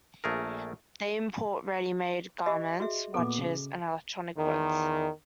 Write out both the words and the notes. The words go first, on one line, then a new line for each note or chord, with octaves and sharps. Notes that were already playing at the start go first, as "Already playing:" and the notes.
They import ready-made garments, watches and electronic goods.
A#1 A3 G#4 A#4
G4 D#5
F#4 G#4 E5
A#2 B3 A4 D6
C#3
E2 D#3